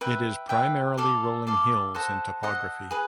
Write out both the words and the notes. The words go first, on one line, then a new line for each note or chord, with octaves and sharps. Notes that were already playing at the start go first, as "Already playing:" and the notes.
It is primarily rolling hills in topography.
B4 E5 G5
B4 E5 G5
A4 D5 F5
A4 D5 F5
A4 C5 D#5 F#5
A4 C5 D#5 F#5
G#4 B4